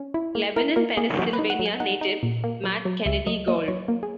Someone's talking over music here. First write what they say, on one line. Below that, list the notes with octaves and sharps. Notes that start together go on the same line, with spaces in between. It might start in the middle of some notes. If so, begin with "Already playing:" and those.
Lebanon, Pennsylvania native Matt Kennedy Gould.
Already playing: C#4
E4
A#3
E4 A#4
A#3 A#4
A#3 G#4
F#3 F#4
B4
D#4
F#5
F#3
G#5
D#4 F#5
D#4
A#2
A#3
F#3
F#3
C#2 E5
F#3 D#5
A#3 D#5
F#3 C#5
A#3
G#4